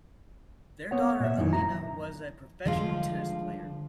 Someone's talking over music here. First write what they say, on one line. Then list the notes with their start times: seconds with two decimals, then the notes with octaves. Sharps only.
Their daughter Elena was a professional tennis player.
0.91 B3 C#5 F#5
1.20 A#2 E5
1.37 F#2 D#3 E3
1.53 A#5
2.65 D3 D#3 F3 G3 G#3 F4